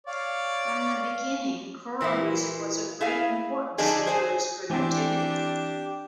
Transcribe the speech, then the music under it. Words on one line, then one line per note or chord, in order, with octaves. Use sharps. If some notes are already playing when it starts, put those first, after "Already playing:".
From the beginning, choral music was of great importance in Durey's productivity.
C#5 D5 F5
A#2 E3 A#3 E4
E4 G#4 F5
D3 F3 D4 D#4 G#4
G#4 C5 G#5
E3 C4 D4 G4